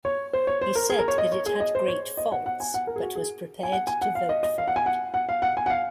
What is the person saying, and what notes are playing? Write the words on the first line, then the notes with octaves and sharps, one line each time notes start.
He said that it had great faults but was prepared to vote for it.
C#5
C5
C#5
C5
A#4
G#4
A#4
C#5
D#5
C#5
G#4
D#5
C5
C#5
D#5
F#5
F#5
G#5
F#5
A#4
G#4
F#4
G#4
G#5
F#5
G#5
F#5
F5
D#5
D#5
F5
F#5
G#5
F#5
F#5
F5
F#5
G#5
F#5
F5